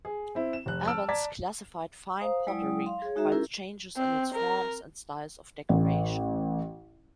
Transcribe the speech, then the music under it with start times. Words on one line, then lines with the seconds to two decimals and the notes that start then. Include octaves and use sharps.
Evans classified fine pottery by the changes in its forms and styles of decoration.
0.05 G#4
0.35 C4 E4
0.53 E7
0.66 F1 F#6
0.87 A5 E6 F6 D7
1.08 D5 A5 A#5 G#6 B6
2.19 C5 F5 A#5 D#6
2.47 F#3 G#3 E4 D5 G5 D#6
2.86 F5 C6
3.02 G#4 C#5
3.15 G#3 D#4 F#4 G#4 E5 A#5
3.32 C#4 E4 G4 A#4 A#5
3.97 C4
4.35 A#4
5.69 A1